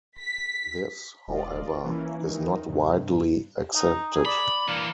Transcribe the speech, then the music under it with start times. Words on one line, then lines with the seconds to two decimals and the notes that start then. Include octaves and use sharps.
This, however, is not widely accepted.
0.20 B6
1.28 E1 F4 D5 D#5
1.85 E3 A#3 C#4 E4
2.19 D#3 D#4
2.69 G2 C3
3.74 D#4
4.14 G#4
4.25 D5 B5
4.68 E3 A#3 D4